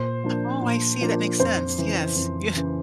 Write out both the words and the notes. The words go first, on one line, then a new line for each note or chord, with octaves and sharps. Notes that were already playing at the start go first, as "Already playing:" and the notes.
Oh, I see, that makes sense. Yes. Yeah.
Already playing: A#2 C5
F3 A#3 D4
A#2
F3 A#3 D4
F2 C5
C#3 E3
F2
C#3 E3